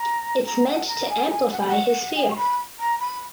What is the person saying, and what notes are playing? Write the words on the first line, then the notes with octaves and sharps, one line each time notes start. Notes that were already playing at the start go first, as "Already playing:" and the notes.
It’s meant to amplify his fear.
Already playing: A#5
A#5
F#5
A#5
G#5
G#5
F#5
G#5
F#5
G#5
C#6
B5
A#5
B5